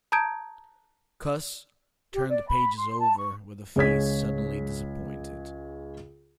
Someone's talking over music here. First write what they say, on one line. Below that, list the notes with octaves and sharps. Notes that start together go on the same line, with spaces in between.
Cuss turned the pages over with a face suddenly disappointed.
A5 A#5 D#6 G6 G#6 D7
G4
D5
B5
C6
A5
C#6
C#2 G#4 C#5 G#6 B6